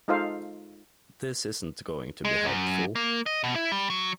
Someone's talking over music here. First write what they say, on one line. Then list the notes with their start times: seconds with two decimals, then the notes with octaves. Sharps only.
This isn't going to be helpful.
0.08 G#3 D#4 F4 A4 C5 F5
2.25 G#3
2.46 F#2
2.95 A#3
3.26 D#5
3.44 B2
3.55 E4
3.72 G3
3.90 F#3